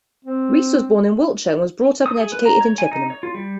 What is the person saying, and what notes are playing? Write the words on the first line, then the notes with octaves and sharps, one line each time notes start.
Rees was born in Wiltshire and was brought up and educated in Chippenham.
C4
D#6
G#4
B4
A#5
C#5
G#5
D#4
C#5
F4
G3